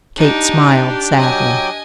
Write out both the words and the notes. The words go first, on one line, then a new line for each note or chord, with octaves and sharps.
Kate smiled sadly.
D4 D#4 G4
F#3 D#5 G5 G#5 D6